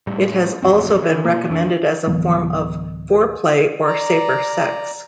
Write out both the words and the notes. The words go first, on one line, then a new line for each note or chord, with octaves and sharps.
It has also been recommended as a form of foreplay or safer sex.
A2 G3
D1 A1 F2 C4
E3
B2 A#3
F2 E3 D4
D1 E3 F#3 B3
D5 A#5